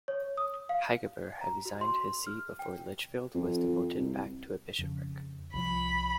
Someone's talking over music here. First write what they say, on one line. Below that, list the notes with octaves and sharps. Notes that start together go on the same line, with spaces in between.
Hygeberht had resigned his see before Lichfield was demoted back to a bishopric.
C#5
D#6
F5
A#5
F#4
C6
F6
G5
F2
C2
F2 C#3
C2 F3 B5